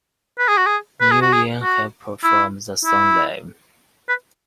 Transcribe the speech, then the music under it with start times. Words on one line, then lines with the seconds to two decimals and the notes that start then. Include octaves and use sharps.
Neil Young has performed the song live.
0.39 B4
0.48 G#4
0.57 F#4
0.66 G#4
1.01 B4
1.11 G#4
1.22 F#4
1.33 G#4
1.63 F#4
2.24 E4
2.85 E4
4.09 B4